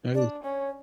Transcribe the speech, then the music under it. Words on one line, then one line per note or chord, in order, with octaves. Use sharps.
that is.
D4 D5
C#4 C#5